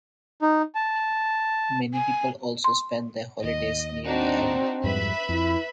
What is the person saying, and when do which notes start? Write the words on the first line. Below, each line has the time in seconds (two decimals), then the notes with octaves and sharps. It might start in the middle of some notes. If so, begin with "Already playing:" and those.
Many people also spend their holidays near the abbey.
0.42 D#4
0.75 A5
1.93 G#5
2.64 C6
3.44 D#2 D#5
4.05 C4 D4 D#4 F#4
4.84 F2 G#2 G3 B4 E5 B5
5.29 F2 E4